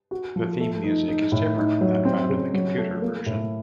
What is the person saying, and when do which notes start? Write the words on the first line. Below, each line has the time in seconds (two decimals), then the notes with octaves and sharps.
The theme music is different from that found in the computer version.
0.11 F#4
0.36 F3
0.60 A3
0.84 D#4
1.08 D#4
1.32 A2
1.57 D#4
1.81 F#3
2.05 C4
2.29 C#3
2.54 F#3
2.78 A3
3.02 A#3
3.26 A2